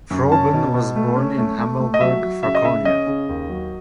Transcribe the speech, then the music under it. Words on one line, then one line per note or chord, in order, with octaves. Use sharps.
Froben was born in Hammelburg, Franconia.
F#2
C#4 A5
B2
B2
A3
C#4
A3
A3
A3
D#5
F#3 E5
F#3
C#3 E5
D#5
C#3 E5
C#4 D#5
C#3
D#2
F#3